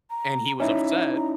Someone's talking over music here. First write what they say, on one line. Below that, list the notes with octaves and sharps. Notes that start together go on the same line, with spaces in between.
and he was upset
A#5
C#4 D#4 E4 E5
A#5